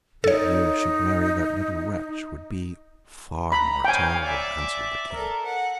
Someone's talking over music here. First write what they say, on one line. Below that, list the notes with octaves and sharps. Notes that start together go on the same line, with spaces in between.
"That you should marry that little wretch would be far more terrible," answered the King.
D#4 A4 C#5
A#5 B5
C#5 F5 G5 G#5
D5 E5
A4 A#4
F#5